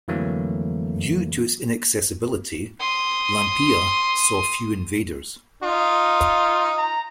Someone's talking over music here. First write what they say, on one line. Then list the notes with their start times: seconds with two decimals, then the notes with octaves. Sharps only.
Due to its inaccessibility, Lampeia saw few invaders.
0.08 F2 D3 E3 F#3 A3 A#3
2.80 C6 D#6
5.63 D#4 F4
6.78 A#5